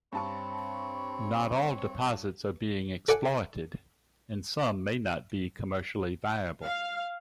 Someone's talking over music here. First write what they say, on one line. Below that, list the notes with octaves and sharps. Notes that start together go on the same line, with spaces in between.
Not all deposits are being exploited, and some may not be commercially viable.
G2 C4 C#5 A5 B5 C#6
A4 D5 F#5 G#5
F5